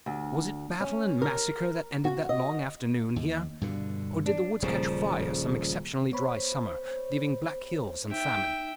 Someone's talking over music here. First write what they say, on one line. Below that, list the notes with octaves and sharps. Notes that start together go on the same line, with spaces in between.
Was it battle and massacre that ended that long afternoon here? Or did the woods catch fire some exceptionally dry summer, leaving black hills and famine?
D2
C#4
A#4
F#4
D#5
D#2
G2 B2 D3
D4
D#1 C#3 F3 G3 A#3
B3 C5 C#5 B5
D#4 E5 G5